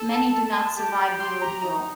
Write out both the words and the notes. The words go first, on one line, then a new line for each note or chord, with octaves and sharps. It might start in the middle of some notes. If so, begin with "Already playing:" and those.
Many do not survive the ordeal.
Already playing: A4
A5
G4
C6
A#5
D#4 A#5